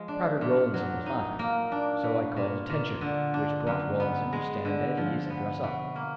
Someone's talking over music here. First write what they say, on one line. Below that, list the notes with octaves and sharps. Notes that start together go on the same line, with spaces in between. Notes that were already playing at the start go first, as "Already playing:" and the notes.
Private Rollinson was laughing, so I called "Attention!" which brought Rollinson to stand at ease and dress up.
Already playing: F3 G#3
D4
A#2
F#3
D#4
A#3
D4
B2
A#2
A#2
D3
D4
F#2
B3
G#3
D3
F3
B3
B2
A#3